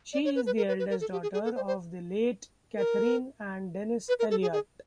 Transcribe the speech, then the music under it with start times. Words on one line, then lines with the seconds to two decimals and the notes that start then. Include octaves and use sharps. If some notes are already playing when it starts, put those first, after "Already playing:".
She is the eldest daughter of the late Catherine and Denis Elliott.
0.13 D5
0.25 C#5
0.36 B4
0.46 B4
0.57 A#4
0.68 B4
0.79 B4
0.90 A#4
1.01 A4
1.12 G4
1.23 G#4
1.34 G#4
1.45 A4
1.56 C5
1.67 C5
2.77 A#4
4.09 B4
4.19 A#4
4.31 A4
4.42 G#4
4.53 G#4